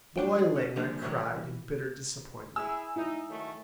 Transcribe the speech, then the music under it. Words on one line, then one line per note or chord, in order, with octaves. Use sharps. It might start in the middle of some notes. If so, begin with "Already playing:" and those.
"Boiling," I cried, in bitter disappointment.
A2 F3 D4 G5
G#4
C#4
D3 F3 G3 A#3 D4 G#4
A2 C3 E3 F#3 G3
E3
E4 G#4 G#5 E6
D#4 E4
D#3 F#3 A3